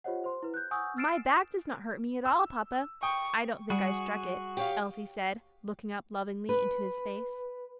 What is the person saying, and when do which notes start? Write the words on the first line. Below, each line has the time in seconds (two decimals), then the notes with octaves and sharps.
"My back does not hurt me at all, papa; I don't think I struck it," Elsie said, looking up lovingly into his face.
0.04 F4 G4 C5 C#5 D#5 F#5
0.24 C5 C6
0.43 E4 B4
0.54 F#6 G6
0.71 F#5 G#5 C#6 D#6 E6 G6
0.97 E6 F6 A6 C7 D7 E7
2.25 E6
3.03 G5 C#6 D#6
3.70 G3 F#4 G#4 F#5
4.57 G4 C#5 F5
6.49 B4